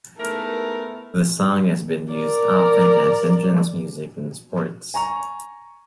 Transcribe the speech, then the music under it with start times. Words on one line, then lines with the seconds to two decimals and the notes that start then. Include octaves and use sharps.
The song has been used often as entrance music in sports.
0.17 G#2 A3 B3 E4 A#4
2.14 A#4 D5
4.94 G#5 A#5 C#6 F7